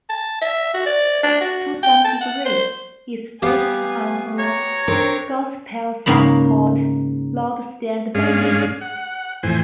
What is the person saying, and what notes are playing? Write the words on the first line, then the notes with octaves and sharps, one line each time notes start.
To some degree, it's based on a gospel song called "Lord Stand By Me".
A5
E5
F#4
D5
D4
F#4
G5
A5
F#5
C5
G3 B3 G4 F5 G#5
C#5 A#5
C4 D4 A#4
G#2 C#3 A#3 B5
G#2 G#3 C#4 D4 G#4 F5
F#5
F2 A2 E3 C5 G#5